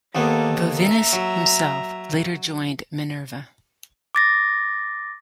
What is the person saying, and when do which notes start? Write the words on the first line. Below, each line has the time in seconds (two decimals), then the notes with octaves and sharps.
Vivinus himself later joined Minerva.
0.15 D#2 D#3 A#3 B3 A4
0.79 E5 A#5
1.13 F#3
4.15 D6 A6 A#6